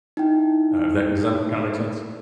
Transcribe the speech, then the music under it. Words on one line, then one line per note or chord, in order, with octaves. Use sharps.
Uh, if that does that ma kinda make sense?
D#4 E4 G5